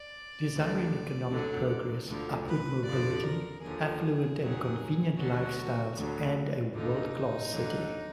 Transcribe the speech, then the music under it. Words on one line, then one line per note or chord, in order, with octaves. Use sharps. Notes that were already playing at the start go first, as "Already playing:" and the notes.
Desiring economic progress, upward mobility, affluent and convenient lifestyles and a 'world-class' city.
Already playing: D5
D2 D3 F3
D2 D3 F#3
D2 D3 F3
B4
F2 D3 F3 D5
A#4
D#2 D3 F3 G#4
F2 D#3 F#3
D2 D3 F#3 F#4
D2 D3 F#3
D#2 D3 F3 D#4
D#2 D3 F#3